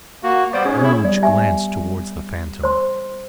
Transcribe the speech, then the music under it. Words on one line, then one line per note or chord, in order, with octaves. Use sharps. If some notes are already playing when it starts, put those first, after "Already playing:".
Scrooge glanced towards the Phantom.
A#3 F#4
G3 B3 C5 D5
G#2 C#4 G#4
E4
G3 B3 D5
G4 E5 G#5
C5 C6